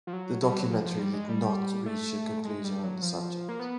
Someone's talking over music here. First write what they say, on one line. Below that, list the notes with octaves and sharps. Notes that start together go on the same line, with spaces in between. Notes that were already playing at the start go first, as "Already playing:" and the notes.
The documentary did not reach a conclusion on the subject.
F3
F#3
F#3
G3
F#3
F3
F3
G3
G#3
G3
A3
G#3
G3
F#3
F3
A#3
B3